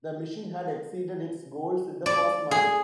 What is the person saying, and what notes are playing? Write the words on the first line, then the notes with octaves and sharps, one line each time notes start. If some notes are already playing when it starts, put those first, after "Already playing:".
The mission had exceeded its goals in the first month.
D5
G#4